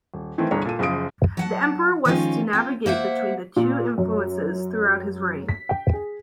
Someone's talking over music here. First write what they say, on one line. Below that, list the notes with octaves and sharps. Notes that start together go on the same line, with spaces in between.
The Emperor was to navigate between the two influences throughout his reign.
D#1
D#3 E3 A3 C4
G1 C2 D4 G#4 C#5 A#5
A#2 A4 D#7
F#1 C#3 F3 G#4 D#6 D7
F#3 F#5 A5
D#3 F3 G#3 C#4 D#4 F4
C4 F4
A#3 C5 E5 F#5
A#2
F#2
B6
G5
G#4